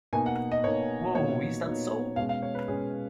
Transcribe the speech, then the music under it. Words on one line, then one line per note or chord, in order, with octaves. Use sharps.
Wow Is That So?!
B2 A#3 D#4 G#5
F#5
D#5
B2 A#3 D#4 C#5
A#2 F#3 B3 D#4 C#5
A#2 F#3 B3 D#4
B2 G#3 C#4 F5
F5
C#5
B4
B2 G#3 C#4 G#4